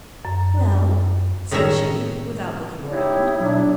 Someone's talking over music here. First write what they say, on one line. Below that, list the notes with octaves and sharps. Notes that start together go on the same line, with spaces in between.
"Well?" said she, without looking round.
F#2
A2 D#3 G#3 C#4 E5 A#5
D#4 E4 G4 C#5
B2 F#3 D4